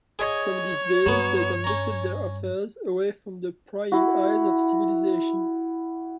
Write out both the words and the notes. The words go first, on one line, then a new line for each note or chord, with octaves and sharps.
From this base, they conducted their affairs away from the prying eyes of civilization.
G#4 C#5 D#5
G2 F#3 B3
C#4 A#5
E4 F#4